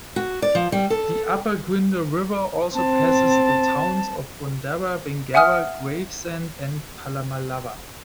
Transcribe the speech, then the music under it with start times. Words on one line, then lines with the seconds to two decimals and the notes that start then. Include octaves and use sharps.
The upper Gwydir River also passes the towns of Bundarra, Bingara, Gravesend, and Pallamallawa.
0.16 F#4
0.42 D5
0.55 F3
0.72 G3
0.90 A4
2.75 C4 A5
5.34 E5 F#5 G#5 D#6 F6